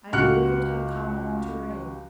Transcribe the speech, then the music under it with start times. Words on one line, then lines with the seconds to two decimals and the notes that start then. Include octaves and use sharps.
I believe it will come on to rain.
0.13 C#2 F#4 G4 F6 F#6 C#7